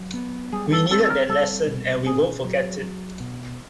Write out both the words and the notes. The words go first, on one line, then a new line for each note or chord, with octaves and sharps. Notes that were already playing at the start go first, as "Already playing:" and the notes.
We needed that lesson, and we won't forget it.
Already playing: F#3
B3
G3 G#4
A4
C4 A4
A4
A#4
G3 A4
B2
C#4 G#4
F#3
F#3
B2